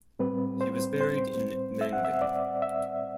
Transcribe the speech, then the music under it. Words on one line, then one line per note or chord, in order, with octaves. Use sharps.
He was buried in Mengen.
A2 G3 C4 B4
C5
C5
E5
F#5
E5
D5
E5